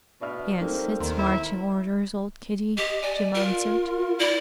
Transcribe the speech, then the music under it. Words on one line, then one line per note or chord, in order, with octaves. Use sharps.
"Yes, it's marching orders, old kiddie," Jim answered.
B2 D4 E5 F6
G3 A#3 C4 D#4 A4 C5
D#2 D#3 A#5 C6
E4
G4 D#5
D5 G#5
F4 A#4
E4 D5